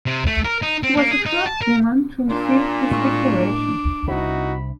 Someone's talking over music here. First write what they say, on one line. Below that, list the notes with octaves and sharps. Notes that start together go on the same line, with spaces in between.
She was the first woman to receive this decoration.
C3
A3
A#4
D#4
C4
A#3
G#4
D#4
A5
A#4
A#2 D4 C6
A2 G#3 C#6
D6
C2 C3 D#4 E4 F#4 B5